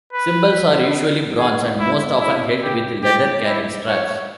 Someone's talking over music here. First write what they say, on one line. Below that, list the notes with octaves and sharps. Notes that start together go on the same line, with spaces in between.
Cymbals are usually bronze and most often held with leather carrying straps.
B4
G#4
E4
E4
G4
G4
E4
C#5